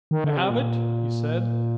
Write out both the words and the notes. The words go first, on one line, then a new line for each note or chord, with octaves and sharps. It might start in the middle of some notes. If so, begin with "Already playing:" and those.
"I have it!" he said.
D#3
D3
C3
A#2